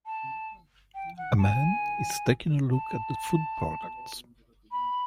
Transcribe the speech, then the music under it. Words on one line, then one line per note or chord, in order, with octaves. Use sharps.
A man is taking a look at the food products.
A5
G5
F#5
A5
G#5
A5
B5